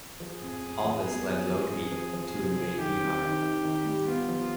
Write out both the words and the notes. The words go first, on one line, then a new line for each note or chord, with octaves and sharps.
All this led Lodhi to invade Bihar.
F3 G#4
F2
F2
F3
B3
F3
F3
F2
F3
F3
C3
F3
D#3 G4
C4
D#3
D#3
D#3
G3
B3 F4
F3